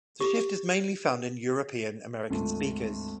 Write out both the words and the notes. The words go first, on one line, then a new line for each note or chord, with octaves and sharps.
The shift is mainly found in European American speakers.
G4
G#1 D2 A3 F4 D#7